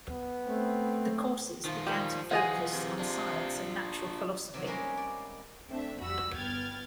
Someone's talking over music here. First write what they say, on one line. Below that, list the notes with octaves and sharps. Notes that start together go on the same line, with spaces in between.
The courses began to focus on science and natural philosophy.
B3
A3 C4
D#3 F3 F4
G3 G4
E3 F4 G#4 D#5 F#5
C3
D4 F4
C3 D#3 F#3
G3 G#3 A#3 C4 C#4
D5
A3 C4 D4 E5
F2 G3 F#4 B5 E6
G1 B3 G5 F6 G#6 A6